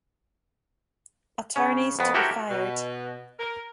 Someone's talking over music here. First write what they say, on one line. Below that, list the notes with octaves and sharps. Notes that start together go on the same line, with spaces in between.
Attorneys to be fired.
C#3 C#4
F2 B3
E4 F#4 G4 A4 A#4
B2
A#4